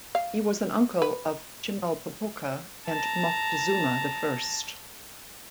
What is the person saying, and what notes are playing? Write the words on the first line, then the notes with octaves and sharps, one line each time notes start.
He was an uncle of Chimalpopoca and Moctezuma the First.
F5
B4
A5 A#5